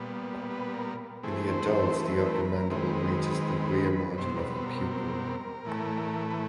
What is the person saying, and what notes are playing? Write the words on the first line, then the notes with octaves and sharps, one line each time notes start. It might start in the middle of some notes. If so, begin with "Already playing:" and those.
In the adults the upper mandible reaches the rear margin of the pupil.
Already playing: A#2 G3 B3
B4
A#4
E3 A3 C4 G#4
C5
C5
B4
A#4
B4
A#4
D#3 G#3 C4 B4
B4
B2 G3 C4 C5
A#4
B4
A#4
A#4
A2 E3 A3
B4